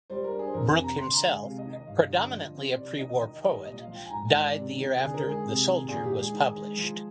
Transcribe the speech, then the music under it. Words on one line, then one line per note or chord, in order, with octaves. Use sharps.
Brooke himself, predominantly a prewar poet, died the year after "The Soldier" was published.
G3 C5
A#4
D4
G#4
C5
F2 A#4
G#5
C3
A#5
D3 C6
A#5
G#3
G#5
C3 F5
D#5
D#3
D#5
G2 F5
D#5
D3
D#5
F3
C4
C3 D5
D5
D#3 D#5
D#5
D#3 D#5
D#5
G3
D#5
A#2 D#5
F5
F3
G5
G#5
G#2 A#5
G#5
D#3
D5
C3
D#3
D3 G#4
A#4
G#3
G#4
C3
D#3
A#2 G#4
G4
G#3
G#4
D#3
G#3
F3